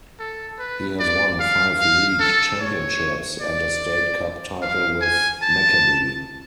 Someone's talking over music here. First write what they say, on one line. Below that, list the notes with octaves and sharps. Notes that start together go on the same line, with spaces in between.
He has won five league championships and a State Cup title with Maccabi.
A4
B4
D5
F5
F5
A4
C#5
D5
F5
G#5
A5